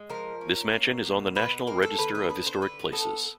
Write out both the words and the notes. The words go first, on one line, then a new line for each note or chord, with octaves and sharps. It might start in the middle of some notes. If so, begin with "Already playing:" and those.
This mansion is on the National Register of Historic Places.
Already playing: G#3
F3 A#4
C#4
A#3
B2
B2 B4
A#3 A#4
A4
D3 B4
B4
B3 B4
C5
D3 B4
B3 A4